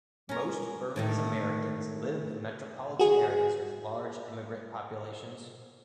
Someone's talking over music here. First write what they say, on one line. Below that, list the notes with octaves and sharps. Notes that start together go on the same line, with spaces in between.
Most Burmese Americans live in metropolitan areas with large immigrant populations.
C#4 A#4
A2 D#3 A3
F#4 G#4